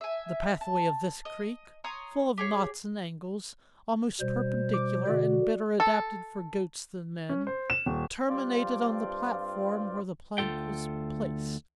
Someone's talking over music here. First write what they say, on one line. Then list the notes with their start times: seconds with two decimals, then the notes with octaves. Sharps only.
The pathway of this creek, full of knots and angles, almost perpendicular, and better adapted for goats than men, terminated on the platform where the plank was placed.
0.01 E5 G#5
0.61 A5
1.25 D#5
1.84 C#5 A#5 C6 D#6
2.38 G4 G#4 C#5
4.21 B2 G3 C5
4.74 D6
5.07 B2 D3 F#4 D5
5.80 A4
7.29 C#4
7.47 C5
7.70 E7
7.86 D#1
8.29 G2 C4 F4 D5
10.38 D2 G2 F4 A4 G5